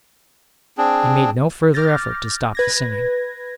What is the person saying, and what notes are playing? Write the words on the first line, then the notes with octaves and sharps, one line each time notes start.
He made no further effort to stop the singing.
C4 D4 G#4
D6 F6 G6 A6 A#6
B4 G#6 A#6